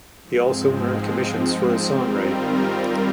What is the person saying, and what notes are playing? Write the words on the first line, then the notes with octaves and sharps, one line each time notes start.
He also earned commissions for his songwriting.
G#2 F3 G#3 C4
D#3 G3 C4 F4 A#4